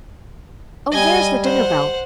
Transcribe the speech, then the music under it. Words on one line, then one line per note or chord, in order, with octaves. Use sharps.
Oh, there's the dinner-bell.
G3 D#5 G#5
C5 F#5